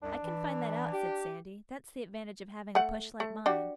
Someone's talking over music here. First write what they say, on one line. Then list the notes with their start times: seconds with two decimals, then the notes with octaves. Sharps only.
'I can find that out,' said Sandy. 'That's the advantage of having a push like mine.
0.02 C2 F#2 D4
0.23 E3
0.92 G4
2.75 A3 F#5
3.20 A3
3.46 D4 F#4 G4